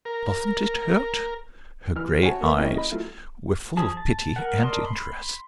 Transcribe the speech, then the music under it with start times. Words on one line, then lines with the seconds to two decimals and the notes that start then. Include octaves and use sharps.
"Dothent it hurt?"--her grey eyes were full of pity and interest.
0.05 A#4
1.95 E3 F6
2.22 F#4 C#5 E5 F#5 G#5 A5
2.41 A#3 A4 B4 E5
2.58 A#3 C#4 D#4 E4 G4 D#5
2.75 D#5 B5
2.91 F#3 A3 E4 F4
3.77 F3 G#4 A5
3.97 A5
4.36 A#4 F#5
4.63 A#4 D5 D#5 A5 C6
4.85 B5 C6